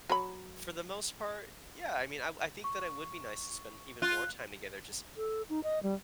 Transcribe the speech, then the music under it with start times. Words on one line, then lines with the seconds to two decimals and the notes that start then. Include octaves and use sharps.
for the most part, yeah, I mean, I w I think that it would be nice to spend even more time together just
0.10 F#3 C#5 B5
2.64 C#6
4.02 F4 F#6
5.17 A4
5.50 D#4
5.64 D#5
5.83 G3